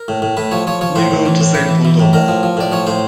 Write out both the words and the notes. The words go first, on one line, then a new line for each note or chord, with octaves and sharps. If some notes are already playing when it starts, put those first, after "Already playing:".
We go to Saint Pol de Mar.
Already playing: A#4
A2
A2
A2 B4
F3 C#5
F3 C#5
F3 C#5
A2 C5
A2
E3
A2
E3 B4
E3
E3
A2
A2 A#4
F3
F3
A2 D5
F3 C#5
A2 C5